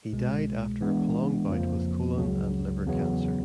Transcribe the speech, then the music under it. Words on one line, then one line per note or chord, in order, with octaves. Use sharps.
He died after a prolonged bout with colon and liver cancer.
C2 B2 G#3
E3 G#3 B3 D4
F2 C#3 F3 A#3
C#2 C#3 F#3
E2 C#3 F#3 B3